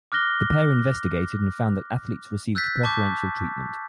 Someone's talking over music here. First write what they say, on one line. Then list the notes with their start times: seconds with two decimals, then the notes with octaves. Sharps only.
The pair investigated and found that athletes received preferential treatment.
0.12 D6 F6 F#6 A#6 G7
2.55 E6 F#6 G6 A6 B6
2.83 A5 C#6 D6 G6